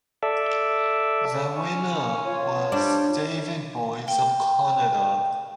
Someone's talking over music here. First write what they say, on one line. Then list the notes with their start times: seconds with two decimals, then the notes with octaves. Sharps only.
The winner was David Boys of Canada.
0.23 A4 D5 E5
1.56 C#4
2.25 F4 C#5
2.72 G3 D4
4.08 G5